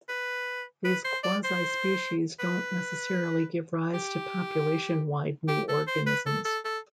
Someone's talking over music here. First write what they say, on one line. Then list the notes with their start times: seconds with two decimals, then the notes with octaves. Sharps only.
These "quasispecies" don't necessarily give rise to population wide new organisms.
0.09 B4
0.85 B4
1.05 C5
1.23 D5
1.44 C5
2.40 B4
3.94 G4
5.48 G4
5.68 A4
5.87 C5
6.06 B4
6.26 A4
6.45 A4
6.65 A4